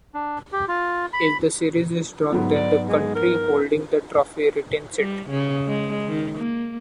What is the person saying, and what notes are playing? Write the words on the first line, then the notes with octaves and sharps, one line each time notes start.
If the series is drawn, then the country holding the trophy retains it.
D4
G4
F4
B5
G#2 F#3 B3
D5
G#3
A#4
G3
C#3
G#3
D#3
A#3